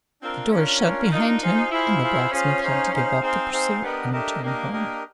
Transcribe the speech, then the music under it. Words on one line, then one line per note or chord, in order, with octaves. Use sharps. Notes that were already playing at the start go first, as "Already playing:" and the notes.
The door shut behind him, and the blacksmith had to give up the pursuit and return home.
C4 D4 F4 A#4
C#4 D4 F4 A#4
D4 F4 A#4
D4 D#4 F4 A#4
F4 G#4 C5 F5
E4 F4 G#4 C5 F5
F4 G#4 C5 F5
C#4 F4 G#4 C5 F5
D#4 G#4 C5 F5
D#4 G#4 C5 F5
C4 D#4 G#4 C5 F5
D#4 G#4 C5 F5
B3 D4 G4 A#4 D#5
A3 D4 G4 A#4 D#5
A#3 D4 G4 A#4 D#5
D4 G4 A#4 D#5